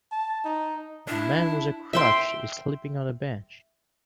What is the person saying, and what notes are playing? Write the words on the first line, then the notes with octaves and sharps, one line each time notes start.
A man with a crutch is sleeping on a bench.
A5
D#4
D4 E4
E5 G5 C6